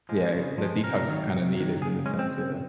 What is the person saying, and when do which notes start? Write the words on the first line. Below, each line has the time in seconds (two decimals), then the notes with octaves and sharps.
Yeah, is so the detox is kinda needed in the sense, yeah.
0.09 F3 G#3
0.34 C#3
0.58 F3
0.64 G#3
0.84 C3 A#4
1.08 D#3 F#3
1.32 C3
1.57 D#3 F#3
1.82 C#3 G#4
2.06 G#3 C#4
2.19 C4
2.31 C#3